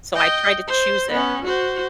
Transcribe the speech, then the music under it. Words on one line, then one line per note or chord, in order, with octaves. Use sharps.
so, I try to choose it.
D#5 G5
C5
B3 C#4
F#4 C5